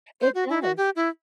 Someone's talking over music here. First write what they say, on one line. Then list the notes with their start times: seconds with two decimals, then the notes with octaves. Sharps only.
It does.
0.21 C5
0.35 F#4
0.49 E4
0.62 F#4
0.77 G4
0.96 E4